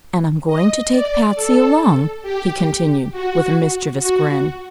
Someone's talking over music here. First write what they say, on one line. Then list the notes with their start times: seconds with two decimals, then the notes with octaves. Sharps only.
"And I'm going to take Patsy along," he continued, with a mischievous grin.
0.47 D#5
0.91 D5
1.35 A4
2.23 G4
3.12 F#4
3.99 F#4